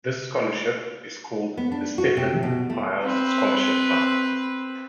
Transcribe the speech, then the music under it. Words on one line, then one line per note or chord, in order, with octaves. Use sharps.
This scholarship is called The Stephan Pyles Scholarship Fund.
B3
D4
F#4
C3
B2
A3
C4 B4